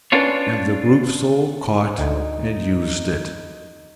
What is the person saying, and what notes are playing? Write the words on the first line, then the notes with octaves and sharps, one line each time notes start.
And the Group-Soul caught and used it.
C#4 D4 F4 B4 C#5
D2 D#4